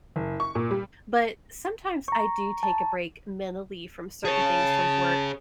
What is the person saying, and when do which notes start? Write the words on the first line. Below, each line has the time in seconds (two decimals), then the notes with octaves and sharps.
But sometimes I do take a break mentally from certain things from work,
0.16 F#1
0.40 C#6
0.55 A#2
0.71 G3
2.08 A#5 C#6
2.63 A5
4.25 G#4 C#5 A5